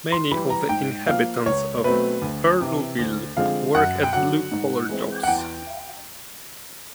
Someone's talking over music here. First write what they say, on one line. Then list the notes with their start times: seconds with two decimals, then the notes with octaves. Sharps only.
Many of the inhabitants of Earlville work at blue-collar jobs.
0.12 C6
0.31 E3 G3 B5
0.50 A#5
0.69 G#2 G5
1.07 F3 A#3 F5
1.46 C#2 C#5
1.84 B2 F#3 A3 C4 B4
2.22 D2
2.61 C3 E3
2.98 D2
3.37 D3 F3 G#3 C4 F5
3.75 F#2 F#5
4.03 G5
4.13 D3 F#3 F#5
4.52 G#2
4.89 E3 G#3 C4
5.23 F#5
5.27 E2 G5